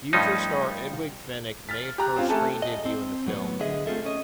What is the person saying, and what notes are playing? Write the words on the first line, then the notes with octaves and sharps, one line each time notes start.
Future star Edwige Fenech made her screen debut in the film.
G2 F3 A3 C#4 D#4
F6 A6 B6
G4 A#5 F#6
C4 C#4 F4
A3 G4 A4 G#5 A5
D#5
C4
A2 F#3 B3
D3 G#4 D#5 E5
A3 C4 F4 G#4 A4 E5
C#4 D#5